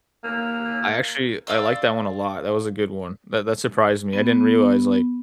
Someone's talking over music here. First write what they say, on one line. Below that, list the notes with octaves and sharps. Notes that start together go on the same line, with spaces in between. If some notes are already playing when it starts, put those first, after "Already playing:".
I actually, I like that one a lot, that was a good one, that that surprised me. I didn't realize, like,
A#3
D5 F5 C6 E6
B3